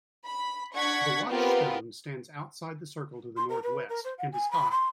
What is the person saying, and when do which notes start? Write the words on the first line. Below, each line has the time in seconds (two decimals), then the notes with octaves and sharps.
The Watch Stone stands outside the circle to the north-west and is high.
0.24 B5
0.73 D4 F#5 C#6 G#6 B6
1.28 B3 C4 F4 G4 A#4
3.37 C6
3.49 A#4
3.62 B4
3.89 A#4
4.04 C5
4.18 F#5
4.32 G#5
4.51 B5
4.71 C6